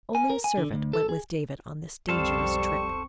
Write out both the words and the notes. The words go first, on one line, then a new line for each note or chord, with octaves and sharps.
Only a servant went with David on this dangerous trip.
G#5
A#4
G#5
D3
D2
A4
G#4
B1 F2 G3 C4 A4 C5 F5 C#6